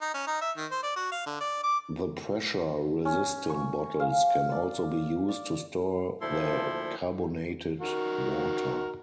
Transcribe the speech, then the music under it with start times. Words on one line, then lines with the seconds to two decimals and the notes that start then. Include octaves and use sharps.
The pressure resistant bottles can also be used to store the carbonated water.
0.01 D#4
0.14 C#4
0.27 D#4
0.41 E5
0.57 D#3
0.71 C5
0.83 D5
0.96 F#4
1.12 F5
1.26 D3
1.40 D5
1.63 D6
3.05 C#4
3.50 C#6
4.00 F5
4.51 D5
5.28 D5
6.21 D2 A#2 F3 E4 A4 C6
7.80 D#3 F#4 A#4